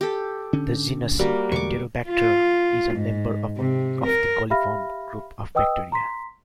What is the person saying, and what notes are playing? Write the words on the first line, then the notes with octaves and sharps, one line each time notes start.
The genus "Enterobacter" is a member of the coliform group of bacteria.
G4 A4
D3 C#4
G3 A#3 F#4
E2 D3 G#3 C#6 D6
F4
G#2
C3
A#4
G4 E5 F5 B5 F6 A#6
B4 D#5 G5 D#6 E6
A#5 C6 B6